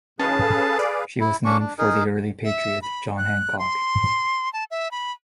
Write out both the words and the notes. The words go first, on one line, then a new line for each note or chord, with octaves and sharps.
She was named for the early patriot, John Hancock.
F#2 A2 D#3 C#4 G#4 B4 F5 A5
A4
D5
E4
A#3 C#4 D4 C#6
D4
D#4 G#4 A#4
E5
B5
F#6
C6
A5
E5
B5